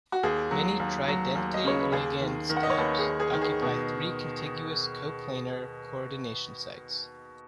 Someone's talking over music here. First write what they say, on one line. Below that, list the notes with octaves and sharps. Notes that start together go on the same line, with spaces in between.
Many tridentate ligands types occupy three contiguous, coplanar coordination sites.
F#4
D#2 G#4
F#3
D#2
F#3
D#2
D#5
C#3 C#5
B4
D#2 G#4
D#3
D#3
F#5
D#5
C#5
D#2 B4
G#4
D#2
G#4
D#3
G#4
B2